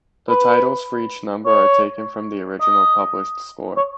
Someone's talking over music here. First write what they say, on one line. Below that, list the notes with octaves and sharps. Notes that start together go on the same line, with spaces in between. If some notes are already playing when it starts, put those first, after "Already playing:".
The titles for each number are taken from the original published score.
B4
C#5
D#5
C#5